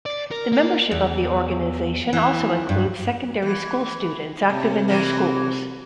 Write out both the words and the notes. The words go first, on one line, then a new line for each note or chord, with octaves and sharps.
The membership of the organisation also includes secondary school students, active in their schools.
D5
A#4
A#3
E2
E3
G2
E3
A2 C3
E3 F#3 A#3